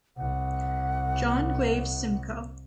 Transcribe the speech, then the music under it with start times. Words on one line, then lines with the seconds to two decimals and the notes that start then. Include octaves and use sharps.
John Graves Simcoe.
0.17 C2 F#5